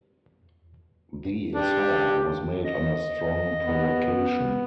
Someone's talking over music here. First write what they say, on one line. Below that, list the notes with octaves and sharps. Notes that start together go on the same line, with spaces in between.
The assault was made under strong provocation.
D4 G4
D#5
B3